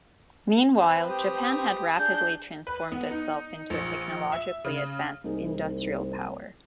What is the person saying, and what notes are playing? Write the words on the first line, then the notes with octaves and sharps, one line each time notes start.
Meanwhile, Japan had rapidly transformed itself into a technologically advanced industrial power.
C4 B4
G4 D#6
D4 G#4 G6
B4
B3
D#4
A#1
E5
C#3
C2 A#3 D#4 G#4